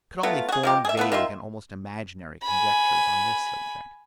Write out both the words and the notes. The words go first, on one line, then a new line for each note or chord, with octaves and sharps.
I could only form vague, and almost imaginary, conjectures on this subject.
F#3 A3 B3 F4
F#4 G#4
F3 G#3 G4
G#4 E5
A3 B3 F4 B4
D#3 F4 E5 C6
G#5 B5